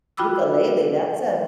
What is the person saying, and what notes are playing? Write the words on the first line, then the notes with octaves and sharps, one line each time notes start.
Ukulele, that's a
F4 F#4 G5 B5 D6 E6